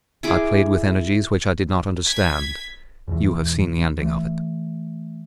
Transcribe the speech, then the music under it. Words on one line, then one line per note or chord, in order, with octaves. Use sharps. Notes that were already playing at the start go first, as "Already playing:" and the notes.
I played with energies which I did not understand, you have seen the ending of it.
E4 G#4 D6
G#6 B6
E2 G#2 B2 E3
E3 A3